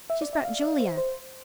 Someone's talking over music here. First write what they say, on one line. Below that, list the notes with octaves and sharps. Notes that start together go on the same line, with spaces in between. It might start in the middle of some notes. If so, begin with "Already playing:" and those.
She's brought Julia!
E5
D5
E5
F5
E5
C5
C5